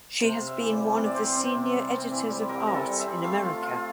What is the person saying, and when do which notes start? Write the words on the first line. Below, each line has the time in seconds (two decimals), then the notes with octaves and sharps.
She has been one of the Senior Editors of Art in America.
0.22 C3 C5
0.36 C3 F5
0.47 E5
0.60 E3
0.72 D5
0.79 G3
0.97 C3 C5
1.06 D5
1.15 C4 C5
1.35 C4
1.55 C3
1.73 G3
1.92 C4
2.11 E3
2.31 G3
2.49 G3 A#4
2.67 C3 A#4
2.74 A4
2.87 G3
3.00 E5
3.06 C4
3.24 A3 F5
3.44 F4
3.62 F4